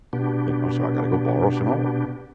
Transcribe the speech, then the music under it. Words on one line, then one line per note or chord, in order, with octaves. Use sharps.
you know? So, I got to go borrow some more
B2 B3 D4 G4